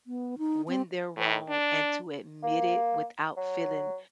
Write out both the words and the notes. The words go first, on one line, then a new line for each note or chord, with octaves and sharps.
when they're wrong and to admit it without feeling,
B3
D#4
C4
A2
D4
A#3
F#3